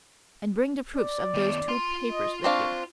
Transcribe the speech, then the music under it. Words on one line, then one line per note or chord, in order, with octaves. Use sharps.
And bring the proofs of those two papers with you.
D5
D#3 B3
F4 C6
D#5
C4 D4 F5 C#6